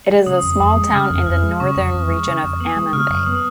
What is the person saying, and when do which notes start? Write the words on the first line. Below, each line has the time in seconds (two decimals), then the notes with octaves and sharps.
It is a small town in the northern region of Amambay.
0.10 G#3
0.26 C#3 D#6
0.43 F2
0.60 F2 D#6
0.76 G#3
0.93 C#3 F6
1.10 F2
1.26 F2 F6
1.43 G#3
1.60 C#3 C#6
1.76 F2
1.93 F2
2.10 G#3
2.26 C#3
2.44 F2
2.61 B3 D#6
2.76 G#3
2.93 C#3 F6
3.10 F#2
3.26 B3 D#6